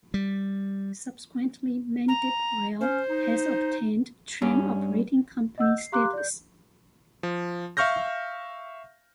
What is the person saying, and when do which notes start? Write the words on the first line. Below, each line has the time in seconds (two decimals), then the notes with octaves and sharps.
Subsequently Mendip Rail has obtained train operating company status.
0.14 G3
2.08 A#5
2.81 C#4 C5
3.10 D#4
4.42 G2 C#4
5.58 D#5 F#5 E6 G6
5.78 C7
5.92 G4 F5 A#5 C6 D6 F#6
6.13 D5 G6
7.23 F3
7.77 E5 F5 C#6 F6 G6 A#6